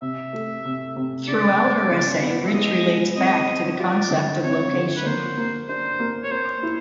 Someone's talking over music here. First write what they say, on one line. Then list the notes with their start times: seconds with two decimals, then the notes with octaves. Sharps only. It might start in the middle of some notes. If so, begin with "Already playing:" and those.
Throughout her essay, Rich relates back to the concept of location.
0.02 C3 E5
0.33 A3
0.65 C3
0.96 C3
1.28 C#3 D5
1.59 B3
1.90 C#3
2.22 B3
2.46 E5
2.54 G#3 D#5
2.86 G#3
3.16 C4 D#5
3.48 C4
3.79 F4 D5
4.11 D3
4.43 C4 C#5
4.73 D3
4.96 B4
5.05 A#3 C5
5.37 A#3
5.69 D4 C5
6.00 A#3
6.23 C#5
6.31 A#3 C5
6.63 E4